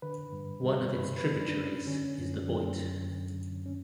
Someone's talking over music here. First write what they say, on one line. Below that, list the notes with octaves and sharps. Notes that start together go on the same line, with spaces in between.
One of its tributaries is the Boite.
D3 B4
G2
G3
G2 B4
B4
D3
D4
G2
C#4
D3 C#4
F#2
F#3
F#2
D3
F#2
C#4